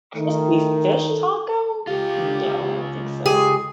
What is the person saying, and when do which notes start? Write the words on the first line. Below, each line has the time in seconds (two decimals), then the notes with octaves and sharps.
Crispy fish taco? No, I don't think so.
0.16 D#3 A3
1.09 A4
1.87 C#2 F4 G4
3.26 G#3 G4 G#4